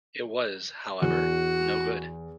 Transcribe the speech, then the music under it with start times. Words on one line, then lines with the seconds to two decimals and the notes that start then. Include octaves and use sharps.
It was, however, no good.
1.02 E2 F#4